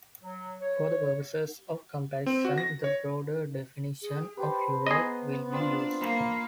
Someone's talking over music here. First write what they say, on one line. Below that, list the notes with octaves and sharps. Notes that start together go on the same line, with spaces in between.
For the purposes of comparison the broader definition of Europe will be used.
F#3
C#5
C4
F#4
A#6
C#5
G#4
G4 B4 C5 A5
B3 G#4 D#5 A#5
C4 D4 F4
A#3 A#4 F5 B5